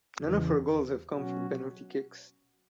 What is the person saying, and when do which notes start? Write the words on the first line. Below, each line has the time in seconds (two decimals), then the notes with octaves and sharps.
None of her goals have come from penalty kicks.
0.20 E2 C#3 E3
1.13 B2 F#3 C#4 F#4